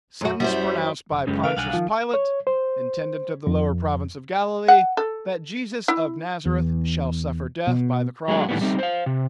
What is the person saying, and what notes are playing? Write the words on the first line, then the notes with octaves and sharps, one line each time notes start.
Sentence pronounced by Pontius Pilate, intendent of the lower province of Galilee, that Jesus of Nazareth shall suffer death by the cross.
F#2 F#4
F#2 G3 E4 C5
F1
F#2 C#3 G#3 C#4 G4
C#3 A3 A#4 B4 F5
B1 G2 F5 F#5 G#5
D#3 F3
C#5
C5
F2
F#5
A4
E4
E2
B2
F#3 G#3 A3 D4
A2 D#3 E3 G3 A#3 B3
G3 A3 C4 D#4
C5 F5
C3